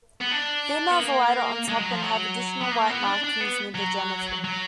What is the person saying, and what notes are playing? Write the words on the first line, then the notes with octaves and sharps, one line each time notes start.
Females are lighter on top and have additional white marking near the genitals.
B3
D4
B3
A#3
G#3
F#3
F3
F#3
B3
A#3
B3
D4
D4
B3
F#3
F#3